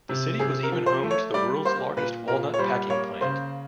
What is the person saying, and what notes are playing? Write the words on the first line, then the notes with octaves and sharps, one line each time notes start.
The city was even home to the world's largest walnut packing plant.
C3
C3 G#4
A#4
F3
C5
A3
C#5
G3 D5
A#3 C5
A#2 B4
A#2 A#4
C#5
G3 C5
A#3 C#5
C#3 C5